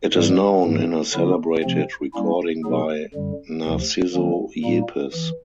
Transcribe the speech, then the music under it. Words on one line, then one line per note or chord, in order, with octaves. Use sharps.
It is known in a celebrated recording by Narciso Yepes.
G#2 E3 G3
G#2 E3 A3
D3 F#3 B3 E4
C3 F3 A3 C4
G3 A#3 C#4 E4
B2 F#3 B3 D#4 G#4
F#2 D3 G3
D2 C3 F3
D#3 F#3 A#3 C#4
A#2 G3 A#3 D#4
E3